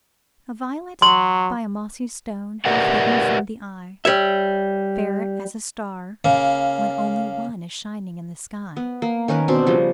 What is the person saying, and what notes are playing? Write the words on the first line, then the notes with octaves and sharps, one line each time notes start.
A violet by a mossy stone Half hidden from the eye! --Fair as a star, when only one Is shining in the sky.
F#3 C6
G4 A#4 B4 D5 E5 F#5
G3 C#5 E5
C#3 A#3
B3
A#3
D#3 C#4 A#4 B4
B2 C4 D4
C#3 F3 G3